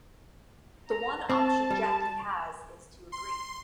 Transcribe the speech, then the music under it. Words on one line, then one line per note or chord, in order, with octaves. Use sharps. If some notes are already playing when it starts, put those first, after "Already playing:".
The one option Jackie has is to agree.
A#5
C4 A5
G3
C6